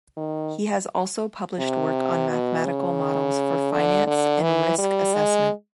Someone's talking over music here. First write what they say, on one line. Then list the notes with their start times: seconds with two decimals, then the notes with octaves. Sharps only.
He has also published work on mathematical models for finance and risk assessment.
0.17 D#3
1.59 C3
2.29 B2
2.65 C#3
3.72 D3
4.07 D3
4.42 E3
4.78 G3
5.14 G#3